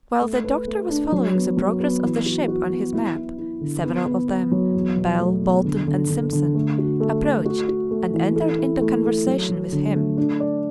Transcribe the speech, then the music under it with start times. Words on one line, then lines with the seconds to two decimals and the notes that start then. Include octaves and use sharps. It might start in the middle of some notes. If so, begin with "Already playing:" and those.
While the doctor was following the progress of the ship on his map, several of them, Bell, Bolton, and Simpson, approached and entered into conversation with him.
0.21 A3
0.44 B4
0.67 A3
0.89 D4
1.12 F#3
1.35 B3
1.57 F#3
1.80 B3
2.02 E3
2.26 F#4
2.48 F#4
2.70 B3
2.93 E4
3.16 E4
3.38 E4
3.61 D3
3.84 B3
4.06 B3
4.29 B3
4.51 F#3
4.74 E2
4.97 B2
5.20 A3
5.42 E2
5.64 D3
5.87 D3
6.10 D3
6.32 D3
6.55 A3
6.78 F#4
7.00 A3
7.23 A3
7.45 F#4
7.68 F#4
7.91 A3
8.13 E3
8.36 A4
8.59 E4
8.81 A3
9.04 A4
9.26 F#3
9.50 F#3
9.72 D3
9.95 A3
10.17 D4
10.40 D5